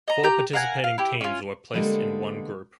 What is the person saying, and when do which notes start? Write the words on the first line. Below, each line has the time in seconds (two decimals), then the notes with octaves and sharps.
Four participating teams were placed in one group.
0.08 D#5 A#5
0.23 G4 A#5 G6
0.53 A#4 F5 F#5 G#5
0.84 F5
0.98 E4 G4
1.21 C#4 F4
1.74 D3 G3 G#3 A#3 B3 A4